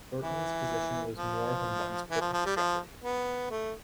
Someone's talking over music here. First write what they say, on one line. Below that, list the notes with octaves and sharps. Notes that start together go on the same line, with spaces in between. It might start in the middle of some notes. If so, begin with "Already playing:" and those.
Bertin's position was more than once put into jeopardy.
E3
F3
E3
F3
F3
G3
F3
B3
A3